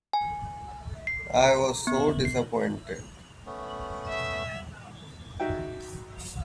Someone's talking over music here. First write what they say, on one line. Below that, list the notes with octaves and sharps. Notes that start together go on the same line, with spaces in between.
I was so dissapointed.
G#5
C7
A#5
B3
C7
A3 B3 C#4
E5
D#4 F#4 E5 G5